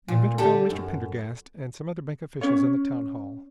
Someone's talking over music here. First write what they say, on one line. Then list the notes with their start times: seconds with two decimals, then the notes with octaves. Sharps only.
The inventor found Mr. Pendergast, and some other bank officials in the town hall.
0.08 A#2
0.38 D3 G4 A4
0.70 F#2
2.41 C#4 C#5